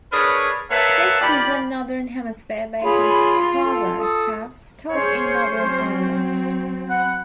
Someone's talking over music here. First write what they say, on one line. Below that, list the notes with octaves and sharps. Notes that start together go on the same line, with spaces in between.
His present Northern Hemisphere base is Scarvagh House Stud in Northern Ireland.
D4 G#4 A#4 B4 C#5
A#3 B4 C#5 E5 F#5 A5
D#3 F4 G4 D5 B5
F4 G#4 C#5 B5
A4
A4 A5 D#6
C#4 G#4 C5 C#5
F#3 C4
F#5 B5 F#6